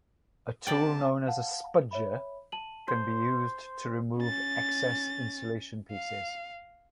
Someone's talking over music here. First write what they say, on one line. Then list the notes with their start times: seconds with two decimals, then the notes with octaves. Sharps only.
A tool known as a spudger can be used to remove excess insulation pieces.
0.67 C3 D5 G5 A5
1.27 F5 F#5 A5
1.91 C#5 E5 B5
2.52 A5 D#7 F#7
2.88 C5
4.18 C#4 A6
5.92 F5